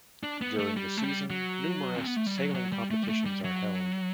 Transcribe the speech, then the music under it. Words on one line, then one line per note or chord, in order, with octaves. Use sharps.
During the season numerous sailing competitions are held.
D4
B3
A3
G3
A3
G3
F#3
C4
B3
A3
G3
F#3
F#3
G3
A3
G3
A3
G3
F#3